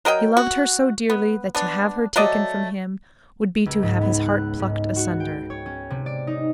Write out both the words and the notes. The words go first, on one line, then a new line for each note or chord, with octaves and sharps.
He loved her so dearly, that to have her taken from him would be to have his heart plucked asunder.
F#3 A#4 D#5 G5
F#4
B3
B3 D4
F#3 A3 D5 D#5
C#2
G#2
B3
F#6
G#2
F#4
G5
C#5
C#4
C3
D5
D#4